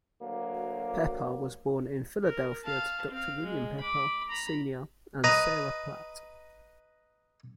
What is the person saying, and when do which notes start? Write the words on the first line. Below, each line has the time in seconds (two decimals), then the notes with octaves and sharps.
Pepper was born in Philadelphia to Doctor William Pepper, Senior and Sarah Platt.
0.22 D2 F#3 A#3
2.24 A#4
2.64 F5 A5
3.10 C4 F5
3.43 G#3
3.80 B5 D6
4.29 A#5 B5
5.24 B4 D#5 A#5